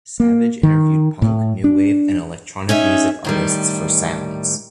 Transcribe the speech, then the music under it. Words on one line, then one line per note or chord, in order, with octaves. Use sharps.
Savage interviewed punk, new wave and electronic music artists for "Sounds".
A#3
D#3
A2
D4
C#4 D#4 G#4 E5
A2 D#3 G3